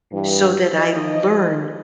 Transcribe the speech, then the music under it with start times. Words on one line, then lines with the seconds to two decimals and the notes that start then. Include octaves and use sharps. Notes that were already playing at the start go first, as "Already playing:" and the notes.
so that I learn
0.13 G2 E3
0.75 E3 F3 D#5